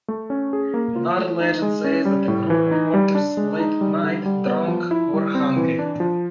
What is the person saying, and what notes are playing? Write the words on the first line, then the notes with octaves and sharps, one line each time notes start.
Another legend says that a group of workers, late at night, drunk, were hungry.
A3
C#4
G#4
A#3
F4
A3
D#4
G#3
C#4
G3
A2
E3
D#4
G3
D4
G#3
D#4
G3
D3
G3
B3
F3
E4
G3
C4
E3
D4
F3